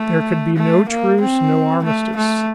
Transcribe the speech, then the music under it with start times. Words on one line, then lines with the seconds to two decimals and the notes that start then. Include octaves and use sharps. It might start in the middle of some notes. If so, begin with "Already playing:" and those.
There could be no truce, no armistice.
Already playing: A3
0.56 A3
0.89 A#3
1.21 C4
1.84 A3
2.17 A3